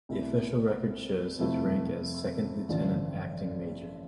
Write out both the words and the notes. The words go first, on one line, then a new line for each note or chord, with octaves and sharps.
The official record shows his rank as second lieutenant acting Major.
C2 B2 A3 E4
F2 C3 F3 A3 E4
A1 G2 D3 F3